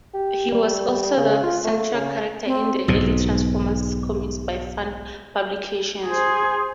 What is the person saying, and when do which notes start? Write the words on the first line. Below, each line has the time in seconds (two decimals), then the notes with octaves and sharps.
He was also the central character in the early Transformers comics by Fun Publications.
0.14 G4
0.52 G3
1.17 C#3
1.43 F4
1.65 A3
1.94 C#3
2.46 C4
2.88 B1 G#2 B2
6.06 G#4 C5